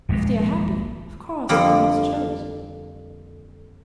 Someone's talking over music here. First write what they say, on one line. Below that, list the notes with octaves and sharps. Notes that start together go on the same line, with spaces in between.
If they are happy, of course they must show it.
D#1 A#1 G#2 G#3
F2 D3 G3 A#3 B5